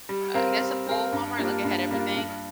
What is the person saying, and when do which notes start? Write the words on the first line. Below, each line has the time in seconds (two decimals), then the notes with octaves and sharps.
Uh, I guess a full Walmart, like, it had everything.
0.09 G3
0.35 C4 A#4 F5
0.60 G3
0.87 C4 A#4 F5
1.12 G2
1.38 G3 A#3 D4 F4
1.64 G2
1.91 G3 A#3 D4 F4
2.16 G2